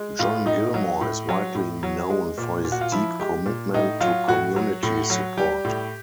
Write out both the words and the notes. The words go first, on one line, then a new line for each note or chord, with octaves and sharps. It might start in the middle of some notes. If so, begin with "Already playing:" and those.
John Gilmore is widely known for his deep commitment to community support.
Already playing: G#3
A2 F4
A2 D#4
F#3
A2
F#3
A2
F#3
G#3
A#2
A#2
F#4
F4
F3 E4
G#3 G4
A#2
A2 D#4
F#3 F4
A2 F#4
F#3
A2
F#3
G3 G4
A2